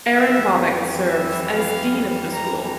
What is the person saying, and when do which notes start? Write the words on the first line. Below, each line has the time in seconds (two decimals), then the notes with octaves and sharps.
Aaron Bobick serves as dean of the school.
0.14 F2 E3 G3 E5
1.08 E5
1.54 F5
2.32 A#5